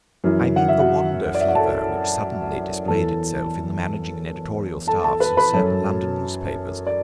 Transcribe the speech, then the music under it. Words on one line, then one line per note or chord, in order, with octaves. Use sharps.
I mean the wander fever which suddenly displayed itself in the managing and editorial staffs of certain London newspapers.
F#2 E3
F#5
E5
F#4 F#5
D5
E5
F#5
A4 A5
E2 E3 A4 A5
A4 A5
A4 A5
B4 B5
B4 B5
F#2 F#3 A4 A5
D5